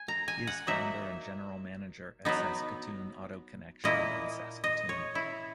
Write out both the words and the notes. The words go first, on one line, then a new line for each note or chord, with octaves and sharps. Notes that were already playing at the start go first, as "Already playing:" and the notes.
He is founder and General Manager at "Saskatoon Auto Connection" in Saskatoon.
Already playing: G#5
A#5
G#5
F#5
F#3 A#3 D#4 E5
F#3 B3 D#4
A#2 A#3 E4 D#5
D#5
C#5
E4